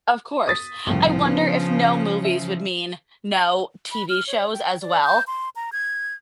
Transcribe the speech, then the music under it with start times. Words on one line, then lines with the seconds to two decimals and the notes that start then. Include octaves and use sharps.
Of course. I wonder if no movies would mean no TV shows as well.
0.48 D#6 A6 B6
0.86 C2 A2 C#3 F3
1.25 B3 D4
2.24 E5
3.91 B5
4.10 F6
4.27 C#5
4.54 G5
4.81 D5
5.04 G6
5.27 C6
5.56 A#5
5.72 G#6